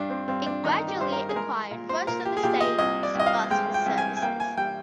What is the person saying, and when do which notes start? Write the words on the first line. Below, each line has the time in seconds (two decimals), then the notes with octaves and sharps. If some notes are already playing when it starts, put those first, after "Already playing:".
It gradually acquired most of the state's bus services.
Already playing: G2 D4
0.10 C4
0.28 G2 C4
0.46 D4
0.65 D#3 D#4
0.88 G4
1.00 G2 C5
1.12 A#4
1.29 G#4
1.36 G#3 A#4
1.71 A#2
1.89 C5
2.07 A#2 A#4
2.25 G4
2.37 G#4
2.43 A#2 G4
2.61 D#5
2.78 C2 D#5
3.03 D5
3.15 C2 D#5
3.26 F5
3.50 G#3 G5
3.74 G5
3.86 C2
3.98 G#5
4.17 G#5
4.22 A#3 G5
4.40 G#5
4.57 G3 G5